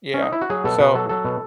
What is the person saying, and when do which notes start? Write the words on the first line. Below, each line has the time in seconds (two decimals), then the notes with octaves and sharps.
Yeah. So,
0.14 C#4
0.22 D#4
0.32 E4
0.41 F#4
0.50 F#3 G#4
0.64 B2 A4
0.79 B2 B4
0.95 F#3 A4
1.09 F#3 A4
1.25 B2